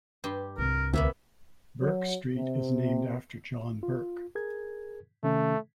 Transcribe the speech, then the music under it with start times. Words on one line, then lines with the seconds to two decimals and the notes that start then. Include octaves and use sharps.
Bourke Street is named after John Bourke.
0.24 G2 G4 C6
0.58 C2 C4 A#4
0.93 D2 C3 A#3 B3 E5
1.81 F#3
2.36 C3
3.83 F4
4.35 G#4 A#4 G#6
5.23 C3 D#3 A3 C#4